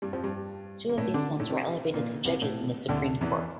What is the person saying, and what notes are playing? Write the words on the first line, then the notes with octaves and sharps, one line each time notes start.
Two of these sons were elevated to judges in the Supreme Court.
G2 G3
F2 F3
G2 G3
A#3
A2 A3
D3 D4
A2 A3
C3 C4
A#2 A#3
C2 C3
A2
D2 D3
E2 E3